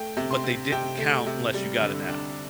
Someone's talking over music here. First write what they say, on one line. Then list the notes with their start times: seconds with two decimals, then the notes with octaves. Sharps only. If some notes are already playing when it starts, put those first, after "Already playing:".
but they didn't count unless you got an F.
Already playing: A3 G5
0.17 C3
0.31 C6
0.44 C4
0.72 C3 G5
0.98 A3
1.26 C3
1.54 G3
1.81 D3
2.09 D4